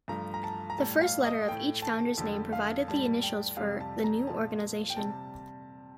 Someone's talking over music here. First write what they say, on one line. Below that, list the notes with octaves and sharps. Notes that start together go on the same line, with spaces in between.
The first letter of each founder's name provided the initials for the new organization.
G2 F3 A3 A#5
A#5
A5
A#5
A2 G3 A5
F5
D#5
A2 A3 G5
A5
F2 D3 G3 A5
F5
A2 G3 A5
G5
F2 C3 G3 F5
A5
A#5
A#2 F3 A3 A5
G5
C3 G3 A5